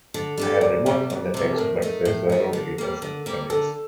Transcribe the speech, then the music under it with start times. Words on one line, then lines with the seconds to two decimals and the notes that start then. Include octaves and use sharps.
I have removed from the text but preserved it as an appendix.
0.14 D3
0.38 G3 D4 A4
0.61 D2 D5
0.86 C3 G3
1.10 D2
1.34 C3 G3
1.53 A4
1.57 A2 A#4
1.82 A3 D#4
2.05 A2
2.29 A3 D#4
2.53 D3
2.78 G3 A#3
3.02 D3
3.26 G3 A#3
3.50 D3 A4